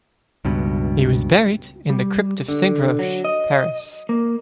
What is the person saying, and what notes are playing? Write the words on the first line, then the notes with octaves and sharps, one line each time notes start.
He was buried in the crypt of Saint-Roch, Paris.
C#2 G2 B2
G3
D3
F#3
D#5
A#3